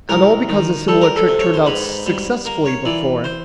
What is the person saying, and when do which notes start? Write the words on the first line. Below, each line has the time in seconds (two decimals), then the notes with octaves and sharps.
And all because a similar trick turned out successfully before!
0.09 C2 A#4
0.49 D#3
0.88 G3 A4
1.02 A#4
1.16 A4
1.28 C3
1.40 C#5
1.54 C5
1.66 G#2 B4
2.06 G3
2.45 A#3
2.66 C#5
2.85 E3 D5
3.24 C5